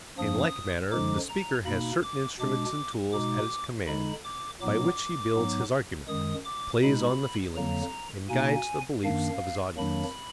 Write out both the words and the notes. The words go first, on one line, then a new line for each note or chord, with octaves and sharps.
In like manner the speaker has certain instruments and tools at his command by which he builds his argument, plays on the feelings, and guides the beliefs of his audience.
F#2 F3 A#3 D4 D#6
F#2 D3 F3 G#3 D#4 D6
A#5
B2 A#3 D#4 B5
D6
B2 G#3 D4 D6
B2 G#3 D#4 D6
D3 G#3 D#4 B5
D6
A#2 F#3 B3 D#4 D6
G#2 F#3 B3 D#4
F#2 D#3 G#3 D#6
D6
B2 G#3 D#4 B5
F2 D3 F#3 A#3 A#5
B2 A#3 D#4 G#5
F#2 D#3 A#3 D4 F5
F2 D#3 F#3 A#3 D4 B5